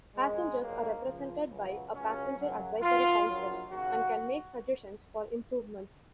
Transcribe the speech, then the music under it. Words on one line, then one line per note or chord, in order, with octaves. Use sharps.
Passengers are represented by a Passenger Advisory Council and can make suggestions for improvements.
A#1 G#2 D#3 G#3
A#1 G#2 D#3 F#3 A#3
C#2 C#3 F3
C#2 B2 F#3
C#2 C#3 F#3 C#4
F#2 C#3 F#3
F#2 D#3 F#3 F4
A#1 A#2 F#3
D#2 C#3 F#3 F#4